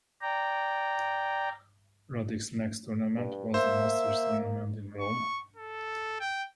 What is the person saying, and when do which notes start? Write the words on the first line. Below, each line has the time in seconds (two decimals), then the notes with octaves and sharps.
Roddick's next tournament was the Masters tournament in Rome.
0.22 D5 G5 A#5
3.17 G2
3.54 A#3 C5 E5
5.00 C#6
5.56 A4
6.20 G5